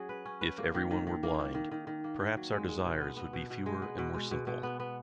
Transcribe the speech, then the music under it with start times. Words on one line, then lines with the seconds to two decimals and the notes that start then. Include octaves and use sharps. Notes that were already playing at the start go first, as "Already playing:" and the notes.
If everyone were blind, perhaps our desires would be fewer and more simple.
Already playing: F#3 C#4 G#4
0.09 B4
0.25 C#4
0.41 B4
0.58 A#3
0.74 D#3
0.91 D#3
1.07 D#3
1.23 A#3
1.39 A#3
1.55 D#3
1.71 D#3
1.87 D#3
2.04 A#3
2.20 D#3
2.37 F#3
2.53 G#3
2.68 G#3
2.85 B2
3.01 B3
3.17 B3
3.33 B2
3.50 B2
3.66 G#3
3.82 B3
3.98 B2
4.14 G#3
4.31 B2
4.47 B2
4.63 B3
4.80 B3